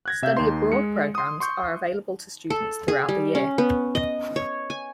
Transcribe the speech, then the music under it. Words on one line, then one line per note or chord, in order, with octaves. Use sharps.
Study abroad programs are available to students throughout the year.
F#6 G#6 A#6
C3 E5 F5 G6
D#2 D#4 C6
G#3 C#7
C6 D#6
C6 C#6 G6
A4
G#4
G3
C#4
B3
D#5
C#5
G#5